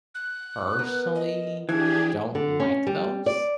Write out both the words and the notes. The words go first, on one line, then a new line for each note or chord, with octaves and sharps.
personally don't like those.
F#6
B3 A#4
D#5
E3 F3 D4 G4 G#4 G#6
D3
C#4
G3
D5